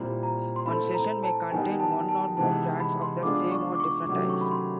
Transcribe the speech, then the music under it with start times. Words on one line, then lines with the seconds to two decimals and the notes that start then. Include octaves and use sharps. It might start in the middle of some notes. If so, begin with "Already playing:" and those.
One "session" may contain one or more tracks of the same or different types.
Already playing: A#2 G3 C4 E4 A#5 B5
0.23 A#5
0.56 C6
0.66 A3 C4 E4 A4 B5
0.95 A#5
1.23 A5
1.51 D#3 G3 B3 D#4 G#5
1.80 A5
2.09 A5
2.37 C3 E3 G#3 B3 D#4 A5
2.80 B5
3.02 C6
3.23 G#3 B3 D4 F4 G#4 D6
3.52 C#6
3.75 D6
3.80 C#6
4.08 C3 D#3 F#3 A3 C#4 D6
4.30 C#6
4.41 B5
4.51 C6